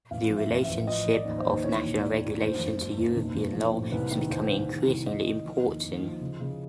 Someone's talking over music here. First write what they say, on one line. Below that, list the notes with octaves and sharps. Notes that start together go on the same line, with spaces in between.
The relationship of national regulations to European law is becoming increasingly important.
A1 F5
F3
E5
A1
E5
A1
F3 D#5
F3
D5
D#2
C5
D#2
E3 C#5
A#1
E3 D5
G#2
F#1 C5
F#2
F#1
F#1
B1
B1
F3
A2
C2 B4
D#3
C2 C5
D#3
C2
C2
C2 D#5
C2
F3
D#2
D#2
F3
C#3
C#3